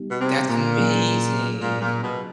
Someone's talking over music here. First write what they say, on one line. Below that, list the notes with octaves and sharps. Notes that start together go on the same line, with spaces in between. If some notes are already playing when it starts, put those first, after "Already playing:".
That's amazing.
Already playing: G3 B3 D#4 G4
B2
C3
A#2
F#3 A#3 C#4 F4 G#4
A#2
A#2
B2